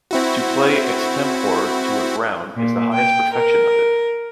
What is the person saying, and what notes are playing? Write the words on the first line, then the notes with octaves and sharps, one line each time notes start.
To play extempore to a ground is the highest perfection of it.
C4 E4 F#4
A#2
G5
A#4